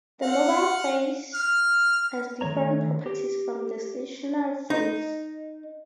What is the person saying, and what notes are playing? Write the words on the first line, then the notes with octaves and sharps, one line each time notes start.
The mobile phase has different properties from the stationary phase.
F5 F#5
F6
D#3 F#3 A3 C#5 A#5
G4
D#4